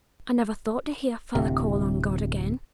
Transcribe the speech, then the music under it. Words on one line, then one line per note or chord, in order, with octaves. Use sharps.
'I never thought to hear father call on God again.
D1 C3